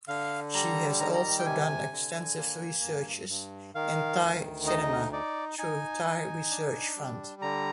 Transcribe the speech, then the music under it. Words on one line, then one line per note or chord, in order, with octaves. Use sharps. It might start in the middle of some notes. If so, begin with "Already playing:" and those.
She has also done extensive researches in Thai cinema through Thai Research Fund.
D3 F5
G3 A#5
D#3 A#5
A#5
G5
C3 G#5
D3
A#3
G2
G2
D#3 F5
D2
D#4 D#5
D#4 D5
D#4 G#5
D#4
D4
G3
D3 A#5